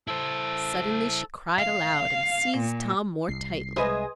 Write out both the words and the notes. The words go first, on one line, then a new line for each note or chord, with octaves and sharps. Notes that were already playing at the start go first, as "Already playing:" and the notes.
Suddenly she cried aloud and seized Tom more tightly.
E4 A4 C5
F5
A#2
C2 C7
G#3 G#4 B4 C5 D#5 E5 G#5 D#6